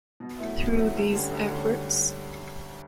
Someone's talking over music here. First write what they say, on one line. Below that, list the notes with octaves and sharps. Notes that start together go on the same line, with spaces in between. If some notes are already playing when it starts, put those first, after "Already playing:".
Through these efforts.
B2
F#3 A3 E4
B2
F#3 A3 E4
D2
D3 G3 C#4
D2
D3 G3 C#4